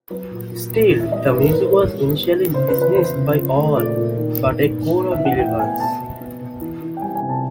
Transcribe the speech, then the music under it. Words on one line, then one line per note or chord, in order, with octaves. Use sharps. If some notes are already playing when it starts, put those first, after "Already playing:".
Still, the music was initially dismissed by all but a core of believers.
F#3 B4
A#2
A#2
A#2
E3
E5
G3 D#5
G#2 B4
A#4
E3 B4
C5
G3 C#5
G3
B3
D#3
C#3 C5
B4
F3
B4
E2 C5
C#3
F3
A3
A#2 D5
A#2
D#3
B3
G#2
G#2
B3
E5
E3
F#5
A2 G5
B3 G#5
B2 A5
B2
B3
B2
E3
E3
G5
G3 G#5
G#5
C3
A5